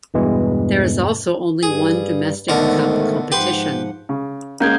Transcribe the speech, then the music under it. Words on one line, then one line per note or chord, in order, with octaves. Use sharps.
There is also only one domestic cup competition.
E2 G2 B2 E3 G#3
G2 G3 G#4
G#2 B2 D3 D#3 A3 A#4
G#2 F3 G4 B4 F#5 C6
C#3
G#3 A#3 C#4 G6 G#6